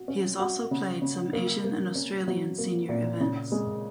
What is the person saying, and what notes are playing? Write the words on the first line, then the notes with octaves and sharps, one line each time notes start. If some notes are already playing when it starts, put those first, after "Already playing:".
He has also played some Asian and Australian senior events.
Already playing: F#4
C#4
F#4
C#3
C#3
A#3
A#3
C#4
F#3
A#3
A#2
C#3
G#3